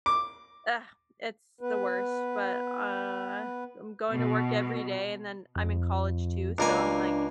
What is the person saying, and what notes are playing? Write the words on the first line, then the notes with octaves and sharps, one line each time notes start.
ugh it's the worst but, uh, I'm going to work every day and then, I'm in college, too, so I'm, like,
D6
B3 B4
B2
F2
C#2 A#3 D4 G#5